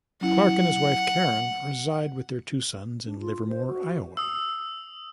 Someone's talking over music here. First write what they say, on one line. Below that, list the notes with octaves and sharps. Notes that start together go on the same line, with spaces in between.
Clark and his wife, Karen, reside with their two sons in Livermore, Iowa.
F#3 C#4 E4 F#5
D4
F4
C5
F#4
D#6 E6